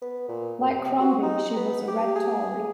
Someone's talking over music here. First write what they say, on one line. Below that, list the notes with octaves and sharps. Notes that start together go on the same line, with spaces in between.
Like Crombie, she was a Red Tory.
B3
A#2
F#2
C3
F#4
D#4
B3
G4
G#4